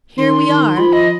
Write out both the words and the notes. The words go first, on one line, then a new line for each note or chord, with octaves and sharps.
Here we are!
D#3 C6
D#3
F3 B5
D#5